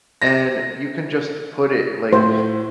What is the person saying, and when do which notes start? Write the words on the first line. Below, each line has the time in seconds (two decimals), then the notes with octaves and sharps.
and you can just put it, like,
0.22 A#6
2.13 A2 C5